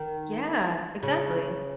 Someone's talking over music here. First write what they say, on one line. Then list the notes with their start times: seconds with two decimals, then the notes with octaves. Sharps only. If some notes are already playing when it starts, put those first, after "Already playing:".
Yeah, exactly.
Already playing: D#3
1.03 C#3